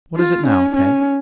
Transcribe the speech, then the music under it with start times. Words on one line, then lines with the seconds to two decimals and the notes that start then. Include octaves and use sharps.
What is it now, Peg?'
0.17 F4
0.47 C#4
0.76 C#4